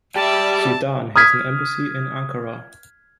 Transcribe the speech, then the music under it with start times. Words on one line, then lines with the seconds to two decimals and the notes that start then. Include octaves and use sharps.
Sudan has an embassy in Ankara.
0.16 G3 D5 E5 G5 A5
1.16 D#6 F6 G#6 B6